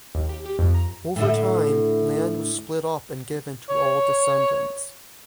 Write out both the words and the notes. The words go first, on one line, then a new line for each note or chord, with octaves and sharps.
Over time, land was split up and given to all descendants.
D#2
G4
G4
F2
A#5
A2 D3 E5
C#5